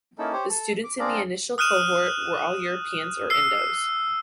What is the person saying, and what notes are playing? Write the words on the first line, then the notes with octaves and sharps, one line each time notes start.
The students in the initial cohort were all Europeans or Indos.
A#3 C#4 D#4 E4 A4
G4 C5 C#5
A4
D6
C4 D4 G#4 D5 F5 A#5
D#6 F6 F#6 D#7 E7
E6 C7